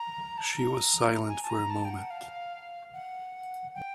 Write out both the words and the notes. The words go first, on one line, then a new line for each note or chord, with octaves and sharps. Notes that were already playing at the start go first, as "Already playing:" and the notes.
She was silent for a moment.
Already playing: A#5
A5
A#5
G#5
A5
A#5
A5
G5
F#5
F5
F#5
G5